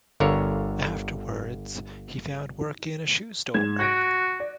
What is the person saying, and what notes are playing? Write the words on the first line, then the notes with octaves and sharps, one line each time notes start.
Afterwards, he found work in a shoe store.
G1 D3 A#4 C#5 F5
G#2 G#6 E7
F#4 F#6 A#6 D7
D5